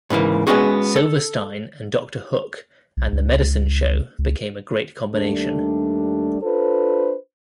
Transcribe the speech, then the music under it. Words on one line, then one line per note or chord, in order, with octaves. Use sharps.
Silverstein and Doctor Hook and the Medicine Show became a great combination.
G#2 C#3 E3 A#3
G#3 A3 B3 C#4 F#4 G#4
A4
B1
C#2
C#2
D#2 G3 A3 D4
D4 F4 A4 B4 C5